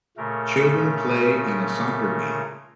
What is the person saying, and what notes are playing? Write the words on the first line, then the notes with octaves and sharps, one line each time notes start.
Children play in a soccer game.
A#2 C#3 A3 A#4